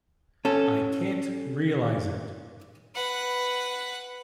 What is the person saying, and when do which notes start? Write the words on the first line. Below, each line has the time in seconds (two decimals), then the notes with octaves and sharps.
I can’t realize it.
0.45 C#4 A4
2.95 B4 F#5